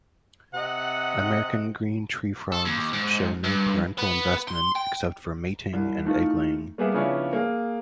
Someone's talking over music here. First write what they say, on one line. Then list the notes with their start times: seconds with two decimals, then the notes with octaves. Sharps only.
American green tree frogs show no parental investment except for mating and egg-laying.
0.54 C3 D#5 F#5
2.52 A4
2.65 D#2
2.93 G#2
3.44 G2
3.98 B3
4.48 C6
4.76 G5
5.73 C2
6.05 D#3 E3 A3 D#4 F4
6.78 G3 A#3 B3 G4 G#4 E5
6.94 C#3 F3 B3 C#4 D4 E4
7.33 A#3 G#4